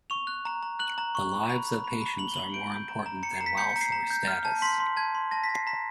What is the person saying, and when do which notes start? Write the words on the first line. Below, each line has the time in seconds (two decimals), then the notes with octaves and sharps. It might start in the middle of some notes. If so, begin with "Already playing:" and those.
The lives of patients are more important than wealth or status.
0.10 C#6 F7
0.27 F#6
0.45 A#5
0.63 A#5
0.79 F#6 F#7
0.98 A#5
1.15 C#6
1.32 C#6
1.49 B5
1.66 B5
1.84 B5
2.01 B5
2.19 B5 F#7
2.28 G7
2.36 B5 F#7
2.54 G6 D7
2.71 G6
2.89 A#5
3.06 A#5
3.23 A#5 C#7
3.35 C7
3.41 A#5
3.46 B6
3.58 G6 C#7
3.70 C#7
3.76 A#5
3.81 C7
3.92 A#5
4.10 G6
4.28 F6
4.45 A5
4.62 C6 B6
4.80 C6
4.97 A5 G#6
5.15 C6
5.31 A5 A#6
5.44 B6
5.49 A5
5.55 C7
5.67 A#5 B6